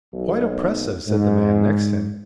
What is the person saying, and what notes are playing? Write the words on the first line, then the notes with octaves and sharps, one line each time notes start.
"Quite oppressive," said the man next him.
B1
G#2